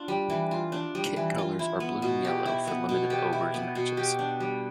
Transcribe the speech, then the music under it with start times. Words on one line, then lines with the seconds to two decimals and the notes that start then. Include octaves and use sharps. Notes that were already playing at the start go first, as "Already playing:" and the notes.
Kit colours are blue and yellow for limited overs matches.
Already playing: D4 F4
0.08 G3
0.30 E3
0.51 F4
0.72 D4
0.95 G3
1.16 E3
1.38 F4
1.59 E4
1.80 B3
2.02 B2
2.25 G4
2.46 E4
2.67 B3
2.89 B2
3.10 G4
3.33 E4
3.54 B3
3.75 B2
3.97 G4
4.19 D4
4.40 G3